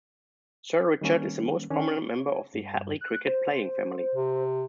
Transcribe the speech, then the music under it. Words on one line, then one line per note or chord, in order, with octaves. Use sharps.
Sir Richard is the most prominent member of the Hadlee cricket playing family.
D#3 G3 A#3 C#4
D#3 C#4 D4
C#5
G2
F#6
C5
C3